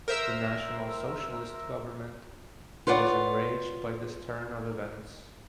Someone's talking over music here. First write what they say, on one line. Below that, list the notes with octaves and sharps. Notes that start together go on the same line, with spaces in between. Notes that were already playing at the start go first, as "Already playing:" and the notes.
The National Socialist government was enraged by this turn of events.
A#4 C5 E5 E6
F4 B4 C#5 D5 F#5